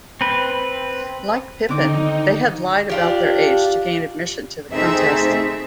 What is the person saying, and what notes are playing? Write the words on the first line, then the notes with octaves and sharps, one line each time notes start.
Like Pippin, they had lied about their age to gain admission to the contest.
C4 B4
D3 D#3 C4 D#4 D6
D4 F4 G4
C3 A3 C4 D#4 G#4 E5